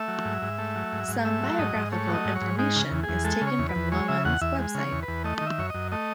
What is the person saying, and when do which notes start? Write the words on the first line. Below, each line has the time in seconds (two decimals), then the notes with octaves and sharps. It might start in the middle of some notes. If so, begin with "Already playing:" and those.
Some biographical information is taken from Loewen's website.
Already playing: A3 E5
0.08 F#3
0.25 G#2
0.42 G#2
0.58 A3
0.76 F#3
0.93 G#2
1.08 G#2
1.25 A3 E5
1.43 F#3
1.59 G#2 D#5
1.75 G#2
1.92 A3 C#5
2.08 F#3
2.14 D#5
2.25 G#2
2.36 C#5
2.41 G#2
2.59 G#3 D#4
2.75 C#3
2.91 E2
3.03 G#4
3.09 E2
3.25 G#3 A4
3.41 C#3
3.47 C#5
3.59 E2
3.69 B4
3.76 E2
3.92 G#3 C#5
4.08 C#3 E5
4.25 E2 F#5
4.41 E2 E5
4.59 G#3
4.75 C#3
4.80 C#5
4.92 E2
5.03 B4
5.08 E2
5.24 A3 D#5
5.38 D#3 D#5
5.47 E5
5.58 F#2 C#5
5.70 F#2 D#5
5.92 A3 D#5